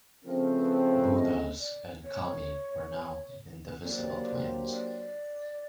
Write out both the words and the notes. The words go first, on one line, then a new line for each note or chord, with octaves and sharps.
Buddhas and kami were now indivisible twins.
C#3 F3 A3 C4 A#4
B4
C#5
B4
D#5
D5
C#5
F#3 A#3 D4 G4 C5 D5
D5